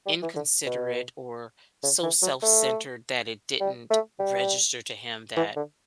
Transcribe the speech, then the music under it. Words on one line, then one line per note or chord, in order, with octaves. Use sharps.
inconsiderate or so self-centered that it didn't register to him that
G3
E3
D3
B2
C#3
E3
F#3
A3
G3
A3
G3
E3
D3